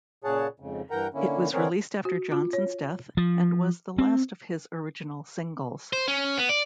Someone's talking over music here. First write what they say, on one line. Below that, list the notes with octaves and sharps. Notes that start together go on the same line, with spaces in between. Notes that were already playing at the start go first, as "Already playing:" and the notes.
It was released after Johnson's death and was the last of his original singles.
A#2 C#3 G#4 C#5 F#5 A5
F2 G#2 C#3
G2 E3 A#4 F#5 G5 A#5
D3 A#3 C#4 E4
D3 D#3 C4 G#4 A#4 C#5
F#4
F4
C#5
F3
C4
C5
C#4
B3
D5